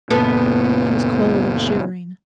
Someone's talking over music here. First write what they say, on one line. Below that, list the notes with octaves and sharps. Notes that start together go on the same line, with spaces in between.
He was cold and shivering.
F#1 A#2 B3 A4